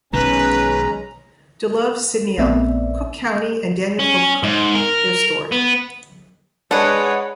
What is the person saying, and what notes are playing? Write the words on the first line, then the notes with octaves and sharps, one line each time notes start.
DeLove, Sidney L. Cook County and Daniel Pope Cook-their Story.
B1 B2 D#3 G#3 C#4 B4 A#5
A#1 A3 B3 C4 D5 E5
C#4
G#2
A#4
B3
G#3 D4 B4 C#5 F#5